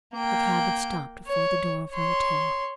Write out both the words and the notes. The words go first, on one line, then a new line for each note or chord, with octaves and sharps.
The cab had stopped before the door of her hotel.
A#3 G5
C#5
C#5 C6